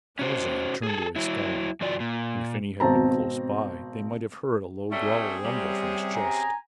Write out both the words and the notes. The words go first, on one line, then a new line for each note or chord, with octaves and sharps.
Tarzan turned away scowling, and if any had been close by they might have heard a low growl rumble from his chest.
C#4 F#4 C5
G#4 A4
F#3 E4
F#2 E3 F4 F#4 D5
A#2
G#1 B2 C4 A5 A#5
F#3 G3 A3 C4 C#4 G#4
C3 G3
G#5 A#5